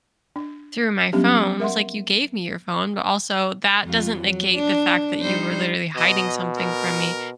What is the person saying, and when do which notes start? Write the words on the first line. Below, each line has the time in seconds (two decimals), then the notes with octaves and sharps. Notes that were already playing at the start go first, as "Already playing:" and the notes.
through my phone." I was, like, "You gave me your phone, but also that doesn't negate the fact that you were literally hiding something from me."
0.36 D4
1.13 F#3 G3 B3 C#4 D4 G4
1.60 A#4 E5 F#5 C6
3.84 F2 F4
4.20 F#3
4.55 D4
5.21 G3 D#4 C5
5.97 B2 D#5
6.57 A#4